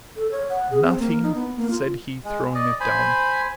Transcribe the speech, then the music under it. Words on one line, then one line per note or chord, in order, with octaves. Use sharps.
"Nothing," said he, throwing it down.
A4
C#5
F#5
G#4
C4
A#3
D#4
B3
A#3
F4
G#3
D5 D#5
C5 G#5 B5